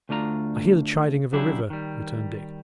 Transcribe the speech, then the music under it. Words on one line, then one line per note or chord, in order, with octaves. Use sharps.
"I hear the chiding of a river," returned Dick.
D2 A3 D4 F4 A#5
C#3 F#3 D4 E4 G4 G#4
D#3 G3